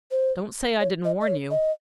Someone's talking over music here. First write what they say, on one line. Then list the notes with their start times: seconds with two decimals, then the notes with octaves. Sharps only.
Don't say I didn't warn you.
0.11 C5
0.80 C#5
1.05 D#5
1.21 D#5
1.28 C#5
1.51 D#5